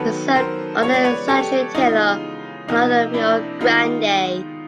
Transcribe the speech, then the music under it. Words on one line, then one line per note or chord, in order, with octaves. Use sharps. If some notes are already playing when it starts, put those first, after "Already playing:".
He served under Zachary Taylor along the Rio Grande.
Already playing: D#3 F#3 B3 A4 B4
A#4 C5
C#3 F3 G#3 B3 C#5
D5
B4 C#5
G4 A4
C#3 E3 G#3 B3 D#4 F4
C3 F3 A#3 D#4
D4 E4
D#3 G#3 B3 D#4 F4